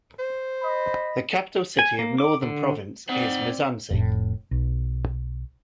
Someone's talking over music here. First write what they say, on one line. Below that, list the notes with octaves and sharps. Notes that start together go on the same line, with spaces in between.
The capital city of Northern Province is Musanze.
C5
D#5 B5
G#5
A#3
D6
D3
C4 C5 D5 F#5
F1 A2
B1